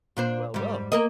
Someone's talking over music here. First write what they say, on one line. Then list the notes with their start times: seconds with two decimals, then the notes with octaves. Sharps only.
Well, well.
0.17 A#2 D4 C5
0.54 G#2 G3
0.92 A#3 A#4 D#5